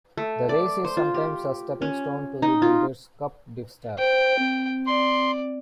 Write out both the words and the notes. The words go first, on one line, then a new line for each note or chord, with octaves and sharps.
The race is sometimes a stepping stone to the Breeders' Cup Distaff.
A3
D5
C5
F4
G4
C#4
D#4
F4
C5 G5
C4
D5 C6